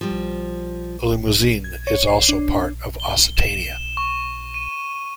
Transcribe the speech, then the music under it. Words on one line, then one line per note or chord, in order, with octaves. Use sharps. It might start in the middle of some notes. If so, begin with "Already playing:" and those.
Limousin is also part of Occitania.
F3 G3
G#6
C#5
C7
D4
G7
E7
C#6
D#7